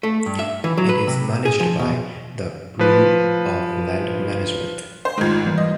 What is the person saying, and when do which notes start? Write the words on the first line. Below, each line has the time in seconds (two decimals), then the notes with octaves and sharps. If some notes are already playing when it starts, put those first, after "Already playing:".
It is managed by the Bureau of Land Management.
0.03 A3
0.26 G2
0.39 E5
0.64 E3
0.77 F#3
0.89 B4
1.07 C3
1.45 G#4
1.60 F3
1.79 B2
2.79 F3 B4
5.05 C5
5.18 G#1 D#3 G#3 F4
5.46 E3 G3 A#3
5.58 D#5